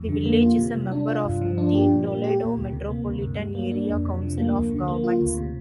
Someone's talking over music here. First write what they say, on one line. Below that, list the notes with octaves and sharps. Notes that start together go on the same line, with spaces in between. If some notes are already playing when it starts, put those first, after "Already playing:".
The village is a member of the Toledo Metropolitan Area Council of Governments.
Already playing: F2
D3
A#3
F4
C3
G3
D4
F4
G2
F3
D4
G4
A#2
A#3
G4
A#2
D2
C3
A#3
D2
G2
G3
A#3
D4
F2
C3
F3
A#3
D2
D3
A#3
F4
D2
C3